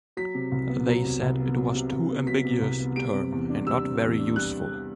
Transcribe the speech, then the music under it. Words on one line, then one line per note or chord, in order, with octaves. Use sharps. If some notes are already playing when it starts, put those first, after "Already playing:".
They said it was too ambiguous a term, and not very useful.
F#3 B6
C3
C2
B3
F#3
C3
C2
B3
F#3
C3
C2
B3
F#3 B6
C3
C2
B3
G3 D7
C3
E2
D4
G3 E6
C3
E2
D4
G3 F#6